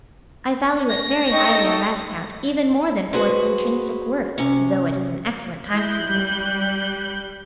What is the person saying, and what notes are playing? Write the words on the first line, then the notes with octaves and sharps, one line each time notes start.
"I value it very highly on that account even more than for its intrinsic worth; though it is an excellent time-keeper."
A#6
D#4 A4 D#5 G5 C#6
F#4 G#4 B4 C5
C3 C#4
G#3 E4 F#6 G6
G3